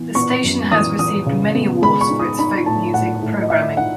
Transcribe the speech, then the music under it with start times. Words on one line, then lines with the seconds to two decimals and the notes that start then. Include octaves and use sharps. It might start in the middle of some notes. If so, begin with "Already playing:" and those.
The station has received many awards for its folk music programming.
Already playing: E3 B3
0.15 B3 C#6
0.44 F#2
0.72 E3 D#6
0.98 E3 D#6
1.26 C#3
1.55 B3
1.82 G#3 B5
2.01 C#6
2.10 D#4
2.19 D#6
2.39 D#4 B5
2.66 A2 A5
2.94 A2 F#5
3.23 A2
3.42 D#5
3.50 A2 E5
3.77 D#4 F#5